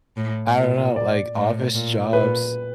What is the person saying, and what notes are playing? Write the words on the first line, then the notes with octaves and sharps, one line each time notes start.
I dunno. Like, office jobs
A2
A#2
D5
A2
A#2
A#2 B4